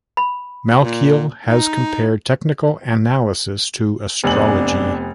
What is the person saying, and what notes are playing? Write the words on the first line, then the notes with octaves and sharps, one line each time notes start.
Malkiel has compared technical analysis to "astrology".
B5
A#2
D#4
F1 B3 C4 D4 G#5 F#7